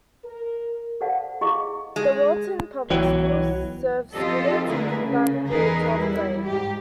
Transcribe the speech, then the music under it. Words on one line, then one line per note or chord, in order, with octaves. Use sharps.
The Wallington Public Schools serve students in kindergarten through twelfth grade.
A#4
A4 C5 D5 F5 F#5 A5
E4 G#4 D#5 F5 C#6 D#6
G#3
C2 B2 E3 F#3 C#5 G5
F3 C4 F4 G4 A4 D#5
D3 A3 E4 G#4 A#4 B4
C#3
E2 D#4 G#4 A#4 B4
G3 E4
G#2 G4